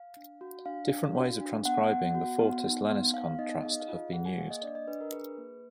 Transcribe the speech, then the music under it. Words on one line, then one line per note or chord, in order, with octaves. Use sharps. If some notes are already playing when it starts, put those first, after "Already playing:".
Different ways of transcribing the fortis-lenis contrast have been used.
Already playing: F5
D4
F#4
D4 F5
D4
F#4
D4
B3 F#5
B3
F#4
B3
D#4
B3
B3 F5
D#4 D#5
G#4 F5
D#5
F5
F4
G#4 F#5
G#5
A#3 F5
D#5
D4 D5
D#5
D4 B4
A#4
G#4 B4
A#3